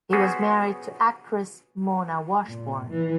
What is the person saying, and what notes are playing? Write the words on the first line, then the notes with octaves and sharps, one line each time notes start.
He was married to actress Mona Washbourne.
B3 C#4 F#4 G#4 C5
A#2
E3